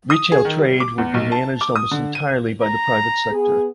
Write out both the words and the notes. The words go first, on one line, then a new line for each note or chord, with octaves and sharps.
Retail trade would be managed almost entirely by the private sector.
D#6
G#4
D#3
G3
D6
E2
B1
A5
D6
D#6
D3
D#7
A#5
B3 G#4